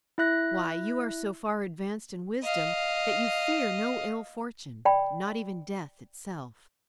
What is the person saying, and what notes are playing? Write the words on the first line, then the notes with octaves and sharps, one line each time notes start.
Why, you are so far advanced in wisdom that you fear no ill-fortune, not even death itself.
E4 E5 F#6 A#6
D#5 F5
D5 G5 B5